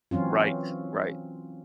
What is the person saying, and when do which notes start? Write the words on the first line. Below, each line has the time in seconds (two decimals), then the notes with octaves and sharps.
Right, right.
0.11 E3 F#3 C4 C#4 F4